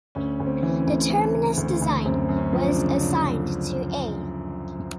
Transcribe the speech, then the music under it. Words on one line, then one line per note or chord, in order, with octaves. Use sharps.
The terminus design was assigned to A.
D2 C#4
D2
C4
E3
C4
C#4
D2
E3
C#3
D2
D2
F#2 C4
F#2
C#4
F3
D4
C#3
C#3 D4